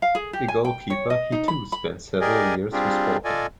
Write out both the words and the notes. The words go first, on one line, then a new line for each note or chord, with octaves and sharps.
A goalkeeper, he too spent several years with Sporting.
F5
G#4
G4
G#5
G5
C#5
D#5
D#4
B5
B5
G4 G#4 A#4 D5 D#5 G#5
G3 C4 D4 F4 G4 G#4
F4 A4 D5 D#5 G#5